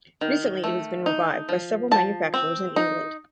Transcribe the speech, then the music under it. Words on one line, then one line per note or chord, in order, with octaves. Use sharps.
Recently it has been revived by several manufacturers in England.
D#3
A3
D#4
F3
F3 A5
C4
D#4